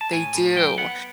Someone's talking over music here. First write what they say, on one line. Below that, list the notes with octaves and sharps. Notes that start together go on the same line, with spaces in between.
They do.
A5
A2 G#5
A2
F#3 G5
B3 F#5